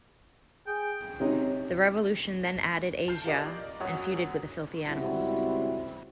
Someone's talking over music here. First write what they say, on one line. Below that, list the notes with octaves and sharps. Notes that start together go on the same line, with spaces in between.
The Revolution then added Asya and feuded with The Filthy Animals.
G#4 G5
C3 C#4 D#4
A5 F6 G6 C7
F4 G4 A#4 D5 D#5
A#1 F#2 F#4 C#5 D#6
C#2 G3 C4 E4 F#4